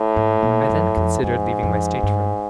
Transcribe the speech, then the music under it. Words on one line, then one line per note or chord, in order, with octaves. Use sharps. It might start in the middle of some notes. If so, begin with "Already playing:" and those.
I then considered leaving my stateroom.
Already playing: A2
G#2
A#2
F#2
F2
F2 G#2
F2
G2